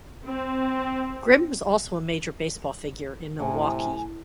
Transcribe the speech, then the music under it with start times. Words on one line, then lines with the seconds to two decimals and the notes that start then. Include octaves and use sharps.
Grimm was also a major baseball figure in Milwaukee.
0.24 C4
3.40 A2 C3 G#5